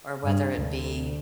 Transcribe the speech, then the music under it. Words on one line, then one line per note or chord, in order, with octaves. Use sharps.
or whether it be
G2
D2